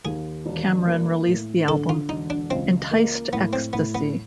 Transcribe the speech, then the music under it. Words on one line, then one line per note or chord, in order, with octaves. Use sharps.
Cameron released the album "Enticed Ecstasy".
D#2 G#4
E1
A#3
A2
D3 A4
F4
E1 D#4
D4
C#2 C4
A#3
A2 B3
C4
A2 B3
B3